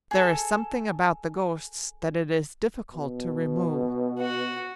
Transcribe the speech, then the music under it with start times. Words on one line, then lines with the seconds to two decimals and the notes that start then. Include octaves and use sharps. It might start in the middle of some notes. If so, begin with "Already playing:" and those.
There is something about the ghosts that it is difficult to remove.
0.11 G#4 A4
2.94 B2
4.19 F#4